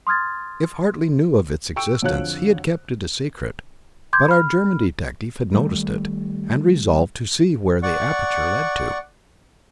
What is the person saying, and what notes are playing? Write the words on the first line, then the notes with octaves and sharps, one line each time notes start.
If Hartly knew of its existence, he had kept it a secret, but our German detective had noticed it, and resolved to see where the aperture led to.
C6 D#6 F6 G#6 A6
G5 C#6 E6 D7
F2 D3 F#4 C#5 F5 F#6
C6 D6 G6 G#6
B5 F6
D#3 G3 A3
D5 F#5 C#6